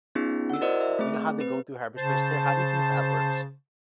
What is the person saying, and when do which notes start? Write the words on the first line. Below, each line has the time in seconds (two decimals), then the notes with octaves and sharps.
You kno uh, you know how they go through hyperspace there? How do you think that works?
0.15 B3 C#4 D#4 F4 G#4
0.50 F#5 E6
0.61 E4 F#4 A#4 C5 D5 D#5
0.81 E5
0.99 A3 C4 G#4
1.38 C4 B4
1.97 C#3 C5 A5